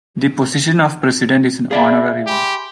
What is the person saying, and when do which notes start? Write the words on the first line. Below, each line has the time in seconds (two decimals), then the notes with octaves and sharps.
The position of President is an honorary one.
1.71 G#4 D5 E5 F5 A5 B5
2.27 G4 G#5 B5 C6